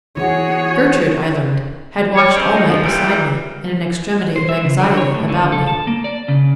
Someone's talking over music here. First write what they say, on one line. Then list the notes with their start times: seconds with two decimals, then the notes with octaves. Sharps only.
Gertrude, I learned, had watched all night beside me, in an extremity of anxiety about me.
0.17 E3 F#4 G#4 C#5
2.16 C#5
2.35 C#3 C4 G4 D#5
2.53 F3 G#3 C#4 D#4
2.69 F3
2.84 A#2 E3 G3 E4
4.36 C5
4.49 E5
4.64 C#3
4.80 D3
4.97 C#5
5.14 A2
5.29 D3
5.52 A4
5.67 A5
5.87 A#3
6.04 D5
6.28 C#3